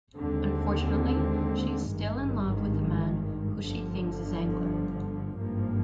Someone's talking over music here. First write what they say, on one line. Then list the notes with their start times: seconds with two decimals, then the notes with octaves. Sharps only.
Unfortunately, she is still in love with the man who she thinks is Zangler.
0.16 D#2 D3 G#3 C4
1.90 G#1 G2 D#3 G#3
3.64 G1 G2 D3 F3
5.38 G#1 G2 F3 A#3